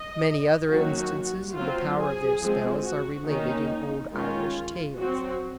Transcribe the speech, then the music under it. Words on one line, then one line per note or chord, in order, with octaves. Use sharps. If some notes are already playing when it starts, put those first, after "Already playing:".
Many other instances of the power of their spells are related in old Irish tales.
Already playing: D#5
D#3 F#3 A#3 C#4 F#4
F#3 C4 F4
G#4
F3 G#3 C4
F#4
D#3 A#3 C#4 D#4
D#3 G#3 C#4 F4
F#3 C4 F#4